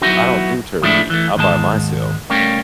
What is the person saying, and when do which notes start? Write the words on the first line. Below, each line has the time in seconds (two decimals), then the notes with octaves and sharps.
I don't do turkey. I'm by myself,
0.02 F#3 A#3 B3 D#4 E4 F#4
0.82 A2 F3 G#3 A3 D4 E4
1.10 E3 A3
1.36 D#2 G#2 G#3 A5
2.30 C#2 G3 A3 A#3 C#4 G4